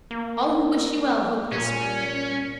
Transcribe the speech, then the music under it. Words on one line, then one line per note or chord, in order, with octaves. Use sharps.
All who wish you well hope this for you.
A#3
A#2 C#4